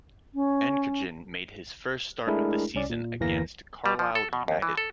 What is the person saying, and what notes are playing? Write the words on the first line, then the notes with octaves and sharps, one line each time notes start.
Ankergen made his first start of the season against Carlisle United.
C#4
G#3 A3 D4 E4 G#4 A#4
C2 C#4 D5
A#2
G1 E2 E3 A#3 A#4 A#6
G3
F3
A4
B2
D#2
E3
A4